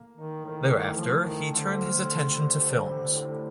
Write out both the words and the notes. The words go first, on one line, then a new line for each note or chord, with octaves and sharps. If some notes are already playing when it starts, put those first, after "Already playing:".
Thereafter he turned his attention to films.
Already playing: A#3
D#3 D#4
A2 D#3
A2 D#3
F3 A3
D#3 A3
D3 C4
F4
D3
C4
G3
C3
G3
A2